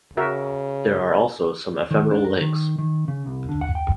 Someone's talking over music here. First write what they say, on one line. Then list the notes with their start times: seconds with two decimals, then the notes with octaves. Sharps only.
There are also some ephemeral lakes.
0.17 C#3 F#4 A#4 E5
1.91 D#3
2.11 D4
2.24 A#4
2.41 D#3
2.78 D#3
3.08 C#3
3.26 C2
3.49 D3
3.61 F#5
3.75 G5